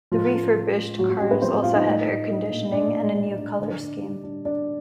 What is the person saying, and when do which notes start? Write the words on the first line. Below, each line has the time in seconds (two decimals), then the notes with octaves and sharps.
The refurbished cars also had air conditioning, and a new colour scheme.
0.12 A2 F3 F4
0.34 C#4
0.55 F3
0.77 G#3
0.98 A2 F#3 F#4
1.09 F#3 F#4
1.20 G3 C#4 G4
1.31 B3 B4
1.42 F3 C4 C5
1.53 C4 C5
1.63 A2 F4 F5
1.74 D#4 D#5
1.85 A3
2.07 A3
2.28 D4
2.50 A#2
2.72 A3 D4 D5
2.93 A3
3.15 D4
3.37 D4
3.58 D3
3.80 D4
4.02 G3
4.23 D4
4.45 D4 D5